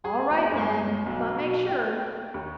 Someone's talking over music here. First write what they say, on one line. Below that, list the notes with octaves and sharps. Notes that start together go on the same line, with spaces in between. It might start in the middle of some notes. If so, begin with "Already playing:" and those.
"All right, then, but make sure."
G#4
D2
G1
B1
B2
G5
D#2